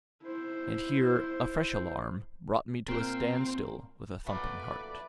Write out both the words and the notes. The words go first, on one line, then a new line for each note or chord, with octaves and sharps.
And here a fresh alarm brought me to a standstill with a thumping heart.
E4 C5
A#2 C4 A#4
A#2 A3 F#4 B4 D5